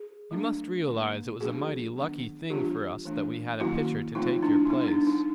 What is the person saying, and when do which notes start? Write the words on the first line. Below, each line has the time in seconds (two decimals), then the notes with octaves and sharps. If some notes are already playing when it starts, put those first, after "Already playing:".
You must realize it was a mighty lucky thing for us that we had a pitcher to take your place.
Already playing: G#4
0.31 F#3 A3 D4
0.86 D3 F#3 A#3
1.40 F3 A3 D4 F#4 G#4
1.96 D#3 F#3 B3 D4
2.50 E3 G3 B3 D4 F4 G4
3.05 E3 A3 D4
3.60 D#3 F#3 A#3 C#4 E4 F#4
4.15 F3 A3 C4 D#4 F4
4.43 D4 E4
4.66 E4
4.70 G3 B3 D4 D#4
4.88 D4
5.07 D#4